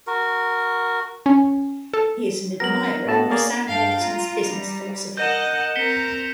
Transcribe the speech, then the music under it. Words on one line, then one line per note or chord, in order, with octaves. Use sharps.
He is an admirer of Sam Walton's business philosophy.
F#4 A#4
C#4
A4
F#3 B3 A#4 A#6 F#7
A2 B3 F#4 A4 A5
A#3 G#4 C#5 D5
G2 F5 G5 A5
F4 A#5
G3
A#4 D#5 F#5 G6 A#6 D#7 E7
C4 A#4 A#5 B6 C#7 G7